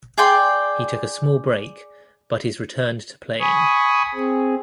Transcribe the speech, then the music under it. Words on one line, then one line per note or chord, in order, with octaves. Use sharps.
He took a small break but is returned to playing.
G#4 D5 G5 C6
G#5 B5 C#6 D#6
C4 G#4